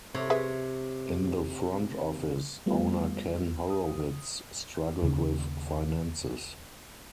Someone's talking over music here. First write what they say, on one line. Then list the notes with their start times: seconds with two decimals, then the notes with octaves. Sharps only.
In the front office, owner Ken Horowitz struggled with finances.
0.14 C3 C#5
0.30 G#4 B4 E5
2.66 G3 A3 B3 F4
3.70 D#6
5.02 D#2 C#3